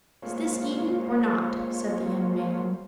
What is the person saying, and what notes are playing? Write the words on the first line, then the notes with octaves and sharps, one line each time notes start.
"Is this eaten or not?" said the young man.
G#3 A#3 F4 C5 C#5